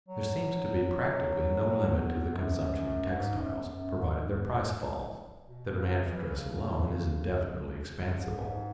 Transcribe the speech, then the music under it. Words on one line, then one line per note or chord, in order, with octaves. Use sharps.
There seems to be practically no limit to the consumption of textiles, provided their price falls; the demand for dress alone is indefinitely expansible.
F#3
E2
F#2
F#2
G#2
F#2
E2
F#2
G#2
E2
B2
C#3
E3
C#3
G#2